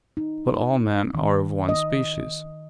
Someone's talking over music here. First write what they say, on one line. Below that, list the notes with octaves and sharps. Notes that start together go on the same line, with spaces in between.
But all men are of one species.
D#4
D#3
D#5